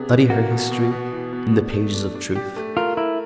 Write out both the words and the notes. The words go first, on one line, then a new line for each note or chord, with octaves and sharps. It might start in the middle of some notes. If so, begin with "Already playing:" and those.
Study her history in the pages of truth.
Already playing: C3 B3 D4 G#4
E3
A#3 F#4
B2
B2
B3
E3
B3
D4
A3
D4
D4
G4
A3
F4 A#4
E4 A#4